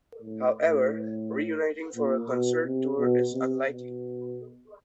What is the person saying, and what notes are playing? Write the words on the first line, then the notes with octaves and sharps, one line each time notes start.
However, reuniting for a concert tour is unlikely.
A2
A2
A#2
B2
C3
B2
C3
B2